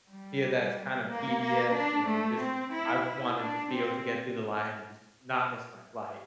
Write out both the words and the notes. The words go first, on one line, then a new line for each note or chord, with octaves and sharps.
yeah, that's kind of tedious and just I wanna just be able to get through the line and just not miss my flight.
G3
A#3
A#3
D4
A3
C4
E4
E4
D4
C4